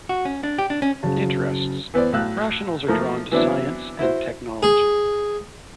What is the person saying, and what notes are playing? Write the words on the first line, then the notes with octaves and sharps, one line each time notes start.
Interests: Rationals are drawn to "science" and "technology".
F#4
C#4
D4
G4
D4
C#4
F#1 C#3 F#3 C#4 F#4 A5
E3 B3 C5 D5
A2 F#3 F5 E6 F#6
F3 A3 A#3
E3 F#3 B3 C4 D4 E4
E4 F#4 C5
G#4